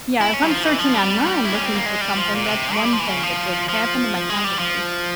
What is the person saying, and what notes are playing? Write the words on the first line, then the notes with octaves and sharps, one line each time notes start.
Yeah, if I'm searching online looking for something, that's one thing, but to tap into my conversations?
E4
C#4
G3
F3
E3
F3
G3
E4
C#4
C4
A#3
G#3
G3
F3
A#2
C3
G#3
G3
F3
E3
C#3
F3
F3
G#3
G3
F3